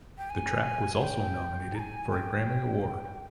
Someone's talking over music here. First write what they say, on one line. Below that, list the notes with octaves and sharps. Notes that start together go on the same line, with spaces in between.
The track was also nominated for a Grammy Award.
G5
G#5
G5
A#5
G#5
G5